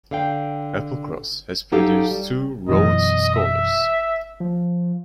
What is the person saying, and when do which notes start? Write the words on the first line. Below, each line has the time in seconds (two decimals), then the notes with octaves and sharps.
Applecross has produced two Rhodes Scholars.
0.11 D3 F5 G5
1.72 F#3 D#4 G4 A4 F5
2.11 G3
2.68 F#2 B2 E3 D#5
3.35 E5
4.40 F3